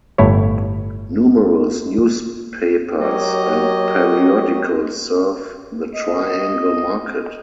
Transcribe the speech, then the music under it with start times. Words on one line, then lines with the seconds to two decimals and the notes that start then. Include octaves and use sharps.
Numerous newspapers and periodicals serve the Triangle market.
0.18 G1 A2 E4 C#5
3.00 F#3 F#4 G4 A#4 C#5 D#5
5.95 D#5